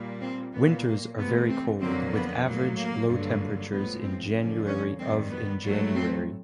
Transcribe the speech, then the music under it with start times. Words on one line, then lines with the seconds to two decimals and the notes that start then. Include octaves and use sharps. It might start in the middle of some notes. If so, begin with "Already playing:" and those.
Winters are very cold, with average low temperatures in January of in January.
Already playing: A#2 G3 A#3
0.21 C4
0.53 A#2 F#3 A#3 B3
1.16 C3 E3 A3 B3
1.48 C4
1.80 F2 D3 F#3 A#3 C4
2.12 B3
2.44 A2 F#3 A#3
2.76 A#3
3.08 G2 D3 F#3 A#3
3.71 A2 F3 G#3 B3
4.03 C4
4.35 F#2 D3 F3 A#3 C#4
4.67 C#4
4.98 F#2 D#3 G3 C4
5.30 B3
5.62 A2 F#3 A3
5.94 C4